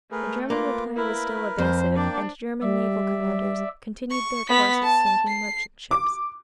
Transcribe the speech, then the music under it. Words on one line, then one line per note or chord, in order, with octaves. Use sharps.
The German reply was still evasive and German naval commanders continued their course of sinking merchant ships.
A3 G#4 A#4 B4
A#3 F4 B4 D6
E4 A#4 B4
F2 C5
A#3 D4 D5 G5
G3 D5 E5
C#6
B3 B6
A5
C7
D6